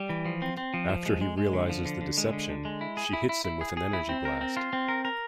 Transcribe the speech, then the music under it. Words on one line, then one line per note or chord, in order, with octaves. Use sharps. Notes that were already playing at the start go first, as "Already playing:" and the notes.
After he realizes the deception, she hits him with an energy blast.
Already playing: G3
E3
F3
C4
C4
F3
F3
G#3
G#3
G#3
D3
F3
D3
D3
G#3
D3
D3
G#3
E4
G#4
E4
E4
E4
G#4
G#4
E4
C4
A#4
C4
F4
C4
A#4
A#4